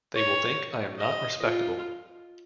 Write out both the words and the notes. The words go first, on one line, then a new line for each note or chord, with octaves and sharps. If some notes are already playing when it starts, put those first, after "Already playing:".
They will think I am not respectable.
C#5
D#5
F4